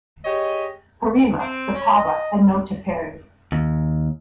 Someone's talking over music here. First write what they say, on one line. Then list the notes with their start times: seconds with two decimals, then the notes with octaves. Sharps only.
Parima, the Pava, had no Tapere.
0.25 G4 G#4 C#5 D#5
1.38 C4
1.74 C#4
1.95 D#5
3.52 D#2